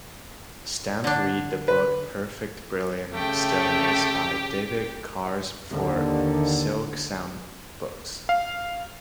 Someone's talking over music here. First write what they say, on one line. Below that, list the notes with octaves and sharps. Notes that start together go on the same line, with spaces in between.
Stamp read the book "Perfect Brilliant Stillness" by David Carse for SilkSoundBooks.
D3 D4
B4
C#3 A3 G4 G5
D#2 D3
F5